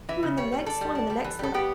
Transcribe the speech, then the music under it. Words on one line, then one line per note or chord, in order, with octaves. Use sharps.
in the next one and the next one?"
E3 E5
C#3
G3 C#5
G3
D4 A4
G3
D4
G3
E3
G3 A4
B3 G4